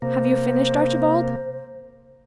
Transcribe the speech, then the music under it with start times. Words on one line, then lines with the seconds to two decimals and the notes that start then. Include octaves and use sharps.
"Have you finished, Archibald?"
0.02 C3 A#3 C5